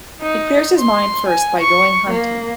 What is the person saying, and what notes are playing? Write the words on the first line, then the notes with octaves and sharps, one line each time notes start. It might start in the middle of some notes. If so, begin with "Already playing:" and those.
He clears his mind first by going hunting.
D#4
C6
G#5
C#6
A#3